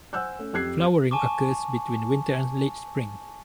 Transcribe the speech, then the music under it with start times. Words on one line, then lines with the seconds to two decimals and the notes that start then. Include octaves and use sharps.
Flowering occurs between winter and late spring.
0.13 C5 F#5 G#5 E6 F#6 G6
0.39 A3 C#4
0.53 F2 G4 F#6 G#6 C7
1.11 G#5 A5 C#6 D6